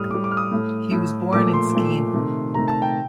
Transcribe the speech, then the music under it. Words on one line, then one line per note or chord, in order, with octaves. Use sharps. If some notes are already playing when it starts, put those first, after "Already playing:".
He was born in Skien.
Already playing: A2 G3 D#6 F6
A2 G3 D6
D6
F6
D#6
A2 A3
A2 A3
A#2 F3 A3 D6
C6
A#2 F3 A3
C3 D#3 A3
C3 D#3 A3 A#5
A5
G5